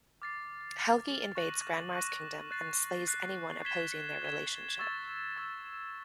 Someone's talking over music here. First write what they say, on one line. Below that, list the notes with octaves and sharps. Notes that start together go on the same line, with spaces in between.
Helgi invades Granmar's kingdom and slays anyone opposing their relationship.
D6 F6 A6 C7
D6 F6 A6 C7
C#6 F#6 A#6 D#7 F#7
C#6 F#6 A#6 D#7 F#7
F#6 A6 C7
F#6 A6 C7
G#6 B6 E7 G7
G#6 B6 E7 G7
C#6 E6 A6
C#6 E6 A6